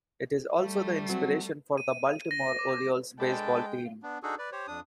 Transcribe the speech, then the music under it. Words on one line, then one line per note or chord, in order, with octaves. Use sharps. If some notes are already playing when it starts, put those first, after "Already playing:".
It is also the inspiration for the Baltimore Orioles baseball team.
G3 A3
F#3 C4 F#4
D#7
A#6
D6
G#3 D4 A4 B4 G5 A5
B3 D4
D4 D#4 F#4 G#4 A4
B4 D5
G4 C5 C#5
F2 D4 D#6